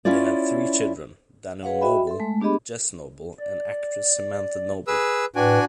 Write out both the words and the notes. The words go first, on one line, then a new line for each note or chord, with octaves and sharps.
They have three children: Daniel Noble, Jess Noble and actress Samantha Noble.
C#4 E4 F4 C#5 D5
G#4 B4 C#5 F5 F#5
F#4 D#5 E5 G5 B5
A4 E5 C6
G#3 A3
B3 D4 G4 G#4 D#5 B5
D5
G#4 B4 E6
A2 D4 F#4 B4 G5 G#5